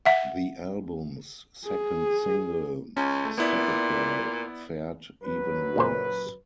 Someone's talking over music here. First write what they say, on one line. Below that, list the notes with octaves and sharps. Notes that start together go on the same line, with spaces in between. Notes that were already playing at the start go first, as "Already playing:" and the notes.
The album's second single, "Stop It Girl", fared even worse.
E5 F#5
G#4
C#2 C#4
A3
A#2 B3 E4 D5
F#2 F#3 B4
C#2 A#2 C5